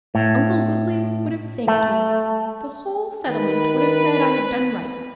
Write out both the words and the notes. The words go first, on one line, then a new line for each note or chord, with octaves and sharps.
Uncle Woodley would have thanked me--the whole settlement would have said I had done right.
A2
A3
D#3 B4